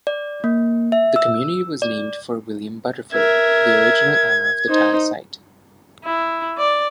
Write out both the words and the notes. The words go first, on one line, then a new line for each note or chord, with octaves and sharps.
The community was named for William Butterfield, the original owner of the town site.
D5
A#3
E5
E6
D5
A#4 E5 G#6
D#4 C5
E4
D5